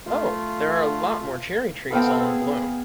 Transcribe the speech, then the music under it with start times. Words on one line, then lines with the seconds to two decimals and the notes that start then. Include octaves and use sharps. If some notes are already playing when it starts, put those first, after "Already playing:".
Oh, there are a lot more cherry-trees all in bloom!
0.06 A3 F4 F5
1.91 B3 C4 A4 F5 G5
2.25 G#4